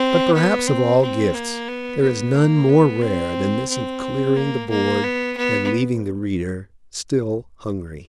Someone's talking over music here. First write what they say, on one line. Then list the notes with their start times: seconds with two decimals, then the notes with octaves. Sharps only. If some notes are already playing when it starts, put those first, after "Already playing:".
But perhaps of all gifts there is none more rare than this of clearing the board and leaving the reader still hungry.
Already playing: C4
0.34 B3
0.67 C4
1.01 C4
1.35 A#3
1.68 B3
2.01 B3
2.36 A#3
2.69 B3
3.03 C4
3.70 C4
4.36 A#3
4.70 A#3
5.04 B3
5.37 B3